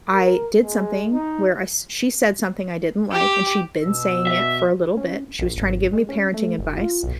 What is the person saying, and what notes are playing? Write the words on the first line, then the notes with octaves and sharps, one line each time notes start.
I did something where I s she said something I didn't like and she'd been saying it for a little bit. She was trying to give me parenting advice
A#4
G#3
D#4
G4
B2 E6
E5
C#4
A#1
G#1
G#3
C#4
A3
F#1
F4
B1